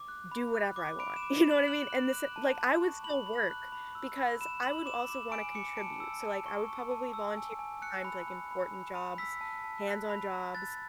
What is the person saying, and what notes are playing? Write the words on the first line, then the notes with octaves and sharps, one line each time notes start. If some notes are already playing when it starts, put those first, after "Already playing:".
do whatever I want. You know what I mean, and this, eh, like I would still work because I would also wanna contribute, so, like, I would probably volunteer time to, like, important jobs, hands-on jobs,
Already playing: D6
F#6
B5
F#6
D6
B5 D7
E7
D6
E7
B5
F#7
F#6 F#7
F#6
F#6
A5
A5
C#6
B5 F#7
B5
F#6
B5
E6
B5
B5 E7
B5 F#7
D6 E7
D6 E7
G#5 D7
D6 C#7
A5 D7
E6
A5
C#6
C#6
A5
E6
G#5
G#5
F#6 C#7
B5
B5
B5
B5
B5
E6 B6
A5
A5
F#6
B5
B5
F#6 A6